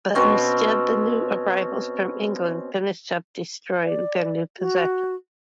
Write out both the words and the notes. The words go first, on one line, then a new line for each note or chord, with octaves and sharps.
But instead, the new arrivals from England finished up destroying their new possession.
B2 C4 C#4
D5
F#4